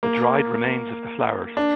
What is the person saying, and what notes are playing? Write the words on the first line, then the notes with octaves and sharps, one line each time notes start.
The dried remains of the flowers.
A#3
D4